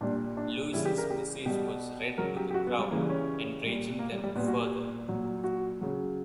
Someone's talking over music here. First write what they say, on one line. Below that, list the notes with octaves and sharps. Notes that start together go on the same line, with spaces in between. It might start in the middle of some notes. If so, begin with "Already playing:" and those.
Lewis' message was read to the crowd, enraging them further.
A#2 G3 D4
D4
C#3 E3 G3 E4
G4
A#4
G4
B2 G3 G4
C#3 F#3 A#4
G4
G4
F#4
B3
G3
C#3 E3 G3 A#3
C#4
A#2 G3
A#3
G3
G3
A#2 G3 B3
F#4
G4
A#2 F#3
F#4
C#3 F#3